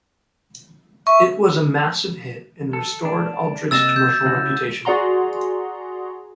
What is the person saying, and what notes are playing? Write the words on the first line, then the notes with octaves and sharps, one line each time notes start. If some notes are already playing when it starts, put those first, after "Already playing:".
It was a massive hit and restored Aldrich's commercial reputation.
E5 C#6
A4
D4
C3 A#3 D#5 E6 A6 E7
G6
C#3 E4 F#4
F#4 G#4 D5 F#5 A#5 C6